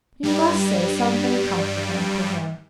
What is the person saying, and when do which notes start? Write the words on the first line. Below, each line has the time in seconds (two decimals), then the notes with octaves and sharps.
You must say something comforting to him.
0.23 G2 G3